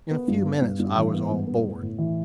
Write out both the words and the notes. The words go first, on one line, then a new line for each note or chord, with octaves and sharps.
In a few minutes I was on board.
B3
G2
B3
G2
G2
E3
B3
G2
B3
A2
A2
E3